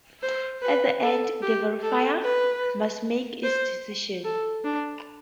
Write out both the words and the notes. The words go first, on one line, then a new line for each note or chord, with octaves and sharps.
At the end the verifier must make its decision.
C5
B4
A4
G4
A4
B4
C5
A4
D4